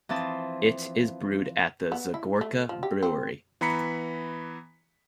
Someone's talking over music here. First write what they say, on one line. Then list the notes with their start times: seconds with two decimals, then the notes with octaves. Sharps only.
It is brewed at the Zagorka Brewery.
0.09 E3 F3 C4 A5
1.92 B3
2.14 E4
2.41 A3
2.69 F3
2.83 G4
3.03 C4
3.61 E3 B3 A#5 B5 B6 C#7